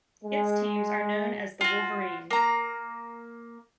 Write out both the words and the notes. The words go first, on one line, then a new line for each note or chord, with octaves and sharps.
Its teams are known as the Wolverines.
G#3
F4 F#4
A#3 A#5